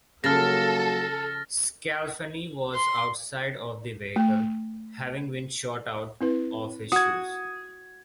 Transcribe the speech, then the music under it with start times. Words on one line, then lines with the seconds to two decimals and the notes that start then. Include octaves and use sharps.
Sclafani was outside of the vehicle, having been shot out of his shoes.
0.24 C#3 F3 F#3 A#3 A4 F6 A6 A#6
2.74 C6
4.16 A3
6.21 C4 E4 B4
6.92 F#4 D#6 G#6